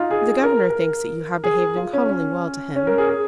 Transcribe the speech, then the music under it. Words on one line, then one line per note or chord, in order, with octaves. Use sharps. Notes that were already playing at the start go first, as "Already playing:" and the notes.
"The governor thinks that you have behaved uncommonly well to him."
Already playing: D#4 F4
G#4
A#4
A#4
G#4
F4
C#4
C#4
C#4
A#4
G#4
G#4